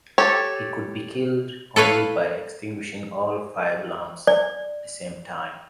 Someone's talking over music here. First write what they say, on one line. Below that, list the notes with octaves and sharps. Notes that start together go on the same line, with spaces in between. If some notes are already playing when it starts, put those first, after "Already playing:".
He could be killed only by extinguishing all five lamps the same time.
G4 A4 C#5
A4 B4 C#5 F5
D5